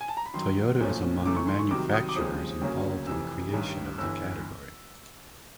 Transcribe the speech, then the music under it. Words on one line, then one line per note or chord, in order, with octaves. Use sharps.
Toyota is among the manufacturers involved in the creation of the category.
G#5
A5
A#5
B5
F#2 D#3 F#3 C6
B1 A#2 F3 A3 C#4
F#2 C#3 E3 A3 D6
C#6
C6
C#6
C2 C3 D#3 F#3 D6
D#6
D6
D#2 C#3 F3 G#3 C4 D#6
D2 C#3 F#3 A#3 C#4
F1 F2 C3 E3 E6
A1 G2 D#3
G1 G2 E3 E6